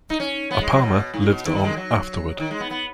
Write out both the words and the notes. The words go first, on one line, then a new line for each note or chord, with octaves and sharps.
Apama lived on afterward.
D#4
C#4
B3
G#3
F#3
B2
G#2
B2
D#3
G#3
F#3
D#3
G#3
B3
B3